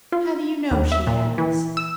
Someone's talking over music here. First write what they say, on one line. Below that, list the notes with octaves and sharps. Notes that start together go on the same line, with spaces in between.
"How do you know she has?"
F4
D#2
E5
A#2
E3
E6